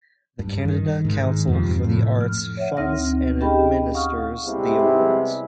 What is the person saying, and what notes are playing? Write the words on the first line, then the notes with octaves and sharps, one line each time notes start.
The Canada Council for the Arts funds and administers the awards.
G2
D#3
G#2 D#3
F2 C3 E3 F3
A2 F3
F6
C#5 E5 F#5
D2 C4 D#4 F6 A#6
C#4 G4 G#4 D#5 G5 B5
F5 F#5 C#6 D#6 F6
C3 G3 G#3 B3 E4